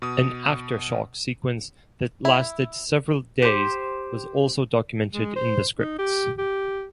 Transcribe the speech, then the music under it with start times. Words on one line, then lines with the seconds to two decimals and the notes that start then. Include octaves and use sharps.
An aftershock sequence that lasted several days was also documented in the scripts.
0.02 B2 D#6
2.25 E4
3.42 G4 C5
5.14 G#3
5.36 C5
5.79 D#4
5.99 G4
6.38 G4